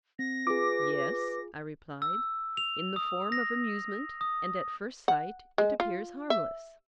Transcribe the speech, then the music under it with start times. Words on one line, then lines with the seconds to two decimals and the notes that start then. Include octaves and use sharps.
Yes, I replied, in the form of amusement; and at first sight it appears harmless.
0.19 C4 A#6
0.47 F4 G#4 B4 D6
2.02 E6
2.57 F7
2.96 D#6
3.32 A#6
4.21 D#6
5.08 F#5
5.58 G#3
5.80 F4
6.30 E5